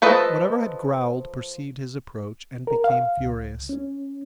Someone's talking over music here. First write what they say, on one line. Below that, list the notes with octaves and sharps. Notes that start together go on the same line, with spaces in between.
Whatever had growled perceived his approach, and became furious.
F3 A4 B4 D#5
A#4
F5
C#2
C#4